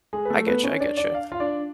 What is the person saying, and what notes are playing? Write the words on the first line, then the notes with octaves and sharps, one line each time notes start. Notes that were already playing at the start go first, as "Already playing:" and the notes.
I get you, I get you.
G#3 G#4
B4
A3 A4
B3 B4
C#4 C#5
D4 D5
D4 D5
F5
F4 F5
D4 D5